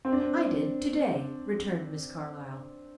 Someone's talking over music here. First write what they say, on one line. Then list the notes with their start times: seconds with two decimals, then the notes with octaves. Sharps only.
"I did to-day," returned Miss Carlyle.
0.05 C4
0.12 D4
0.19 C4